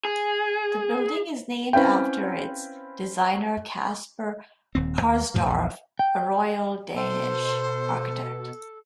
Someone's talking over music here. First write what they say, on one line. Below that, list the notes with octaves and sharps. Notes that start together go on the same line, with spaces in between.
The building is named after its designer Caspar Harsdorff, a royal Danish architect.
G#4
C4 C#4 E4 B4 F5 G5
D#1 D#2 C4
D#2
F#2 A2 C3 F3
A#1 E2
G5
B2 A4 C5